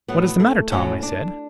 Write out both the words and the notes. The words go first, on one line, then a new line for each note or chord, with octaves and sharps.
"What is the matter, Tom?" I said.
A2 F#3 A3 B3
A3
A2 F#3 A3 C#4
D4